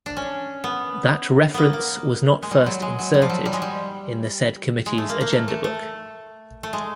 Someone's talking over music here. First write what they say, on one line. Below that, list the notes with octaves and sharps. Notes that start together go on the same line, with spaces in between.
That reference was not first inserted in the said committee's agenda book.
D4
C#4
B3
A#3 B3
A#3
G#3
G3
F#3
G#3
F#3
G3
F3
F#3
G3
G#3
G3
G#3
A3
A#3
A#3
A3
A3
A3
A3
G#3